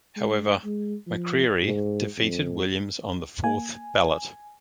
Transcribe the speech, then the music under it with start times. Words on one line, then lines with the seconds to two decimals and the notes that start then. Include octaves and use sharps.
However, McCreary defeated Williams on the fourth ballot.
0.17 G#3
0.64 G#3
1.07 F3
1.63 G#2
2.17 F2
3.44 A#3 G#5